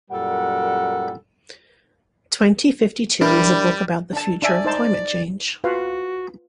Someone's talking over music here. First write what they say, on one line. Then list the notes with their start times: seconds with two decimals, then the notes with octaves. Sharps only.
Twenty fifty-two is a book about the future of climate change.
0.11 F#2 A#2 G3 A4 A#4 F#5
3.21 G3 D4 E4 A#4
4.13 D4 A5
4.42 D4 D5 E5 G#5
4.65 D#4 C5 A5
5.64 F4 F#4 B4 F5